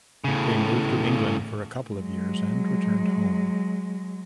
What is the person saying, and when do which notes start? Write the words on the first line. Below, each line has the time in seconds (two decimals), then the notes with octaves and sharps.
They moved to England for a couple of years and returned home.
0.24 A2 C#3
1.93 F#3 G#3